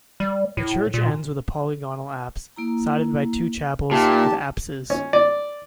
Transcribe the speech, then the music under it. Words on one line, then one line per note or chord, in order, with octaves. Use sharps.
The church ends with a polygonal apse, sided by two chapels with apses.
G3
A2
A#2
A#3 E4 A#5
A#2 D#4 G4 E5 A5
C#4
D5